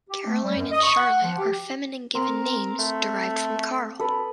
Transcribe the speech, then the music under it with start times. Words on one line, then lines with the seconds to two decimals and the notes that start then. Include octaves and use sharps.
Caroline and Charlotte are feminine given names derived from "Carl".
0.10 G4
0.26 A3
0.44 G3
0.55 F#2
0.71 D#5
0.83 C#6
0.97 F#5
1.22 F3
1.37 G4
2.15 C4 A#4
2.79 A3
3.99 A4 B4 D#6